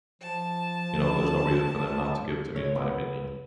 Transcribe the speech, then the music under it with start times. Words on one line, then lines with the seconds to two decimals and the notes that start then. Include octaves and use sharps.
you know, there's no reason for them not to give it to me in my opinion.
0.22 F3 A5
2.56 C#5
2.75 B3